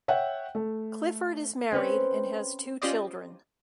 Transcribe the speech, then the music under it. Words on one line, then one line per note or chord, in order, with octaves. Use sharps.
Clifford is married and has two children.
C#5 E5 F#5 G5
A3
C4 C#4 B4 C#5
C#4 F4 G4 C5 D5 D#5